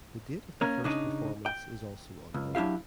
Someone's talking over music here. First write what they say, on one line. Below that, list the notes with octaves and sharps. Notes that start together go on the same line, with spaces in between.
The date of the first performance is also unknown.
A#3 C#4 A#4
C#3 D4 D#4
G5
C#2
F#3 D4 E4 G4 F5